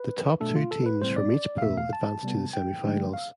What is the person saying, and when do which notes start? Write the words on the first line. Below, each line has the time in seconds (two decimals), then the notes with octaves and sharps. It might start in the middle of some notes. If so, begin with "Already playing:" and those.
The top two teams from each pool advanced to the semifinals.
Already playing: B4
0.40 B2 A3 D4 A4
0.56 F4
0.71 A4
0.86 B4
1.01 A2 G3 C4 C5
1.16 D5
1.58 F5
1.62 E2 B2 A3 E5
1.77 F5
1.93 A5
2.23 C3 G3 B3
2.53 G5
2.83 D3 F3 A3 D4
3.14 F5